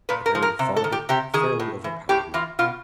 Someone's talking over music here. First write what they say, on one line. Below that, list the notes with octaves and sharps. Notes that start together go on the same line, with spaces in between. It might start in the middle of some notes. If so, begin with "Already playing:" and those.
The very thought of it fairly overpowered me.
A#2 B4
A#4
F3
A#4
C3
A4
D#3
G4
C3 G4
D#3 G#4
A2
E3
A2 G4
E3 F4
B2 F4